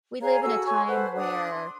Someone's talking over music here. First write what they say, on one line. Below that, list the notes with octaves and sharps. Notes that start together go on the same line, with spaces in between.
we live in a time where,
G#4 C#5 F5 A#5
C#4 F#4 A4 E6
C#5 G#5 C#6
A4 B4 C5 F#5
D4 D#6
C6